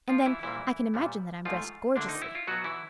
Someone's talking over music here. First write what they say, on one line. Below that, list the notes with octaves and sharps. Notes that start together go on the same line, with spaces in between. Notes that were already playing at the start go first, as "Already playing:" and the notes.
And then I can imagine that I'm dressed gorgeously.
F3 F4
E3 E4
C2 A#2 E3 G3 A#3 E4
A#2 G3 B3
G#2 F3 A3 F4
D2 D3 F3 A#3 D4
D#4
E4
F4
B2 F#3 B3 F#4
E3 E4